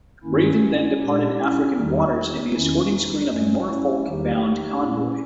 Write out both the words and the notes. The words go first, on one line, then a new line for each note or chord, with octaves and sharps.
"Raven" then departed African waters in the escorting screen of a Norfolk-bound convoy.
G2 D#3 A#3 C#4 E4
A#2 G#3 D#4 G4
C#4 E4
E2 D#3 G3 A#3 D#4
E2 D#3 A#3 C#4 E4
D#4
G2 G3 A#3 C#4
C#4 E4
E2 D#3 G3 A#3 D#4 G4
D#4 G4
A#2 A#3 C#4 E4